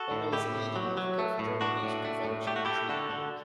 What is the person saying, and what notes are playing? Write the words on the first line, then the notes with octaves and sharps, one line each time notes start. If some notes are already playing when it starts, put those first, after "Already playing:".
Bono is a leading advocate for drug abuse prevention and treatment.
Already playing: F#4 A4
A2
A2 E4 G4
A2
F#3
F#3
A3
A2
A2 D4 F#4
A2
A3
A2
A3 G4
F#4
A3 E4 G4
D3 F#4 A4
D3